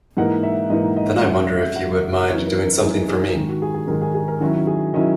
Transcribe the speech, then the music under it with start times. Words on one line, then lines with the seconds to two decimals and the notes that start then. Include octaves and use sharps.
Then I wonder if you would mind doing something for me.
0.17 G#2 E3 A#3 D#4 F#5
0.43 E5
0.70 G#2 E3 A#3 D#4 D#5
0.97 D#5
1.23 C#3 F#3 C#4 F#5
1.50 E5
1.76 C#3 F#3 C#4 F#5
2.03 E5
2.29 F#2 E3 B3 D#4 C#5
2.46 A#4
2.64 A#4
2.82 F#2 E3 B3 D#4 G#4
3.09 G#4
3.35 G#2 D#3 G#3
3.48 F#4
3.62 G#4
3.74 G#4
3.87 G#2 D#3 G#3 A#4
4.01 G#4
4.14 G#4
4.28 A#4
4.41 D#3 F#3 C#4 E4 F#4
4.67 G#4
4.94 D#3 F#3 C#4 E4 D#5